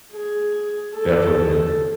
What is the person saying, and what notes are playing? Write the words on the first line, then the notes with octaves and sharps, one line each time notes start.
Definitely, man.
G#4
A4